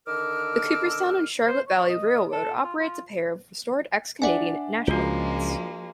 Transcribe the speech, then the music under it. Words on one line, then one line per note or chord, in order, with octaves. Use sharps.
The Cooperstown and Charlotte Valley Railroad operates a pair of restored ex-Canadian National units.
D3 D#3 A#4 D6 E6 F6
C5
C#5
D#5
A4
F4
F4
D4 D5 E5 F#5 G#5
C#2 F3 G#3 A#3 F4 F#4